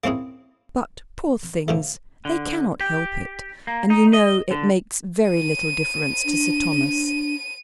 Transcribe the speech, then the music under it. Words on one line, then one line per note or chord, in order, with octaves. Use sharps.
But, poor things! they cannot help it; and you know it makes very little difference to Sir Thomas.
A#3 C4 C#4 E4 G#4
D3 F3 A3
D3
G4
A#3
D#4
D#5
D3
D#7
D4